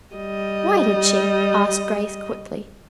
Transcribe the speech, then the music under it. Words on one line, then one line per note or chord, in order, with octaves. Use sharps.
"Why did she?" asked Grace quickly.
G3 D#5